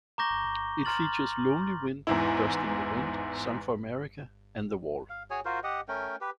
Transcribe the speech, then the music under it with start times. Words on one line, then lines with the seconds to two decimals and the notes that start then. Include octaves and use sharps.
It features "Lonely Wind", "Dust in the Wind", "Song for America", and "The Wall".
0.18 A#5 C#6 D6 G6 A#6 G7
0.85 A#5 C6 F6 A6 F#7
2.07 E2 G#2 E4
5.10 F5
5.30 F#4 G#4 C#5 G#5
5.45 F4 F#4 A#4 C5
5.64 G4 D#5 F#5
5.88 A3 C#4 A#4 G5
6.21 G4 B4